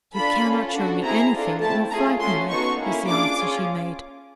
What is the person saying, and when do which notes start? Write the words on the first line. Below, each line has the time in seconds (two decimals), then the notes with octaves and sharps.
"You cannot show me anything that will frighten me," was the answer she made.
0.15 D4 F4 A4 B5
0.44 C#4 F4 A4
0.74 D4 F#4 A4
1.03 C4 E4 G#4 A#5
1.32 D4 F4 A4
1.61 A3 C4 E4 A5
1.90 A3 C#4 F4 G#4 A#5
2.20 A3 C#4 F#4 A4 C6
2.49 B3 D#4 F#4 A4 C#6
2.78 A#3 C#4 E4
3.08 D4 F4 G#4 D6
3.37 C#4 F4 G#4